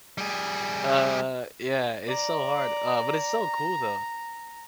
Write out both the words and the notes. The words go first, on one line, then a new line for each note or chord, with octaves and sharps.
Uh, yeah, it's so hard, uh, but it's so cool, though,
G3 G#4
D5 A#5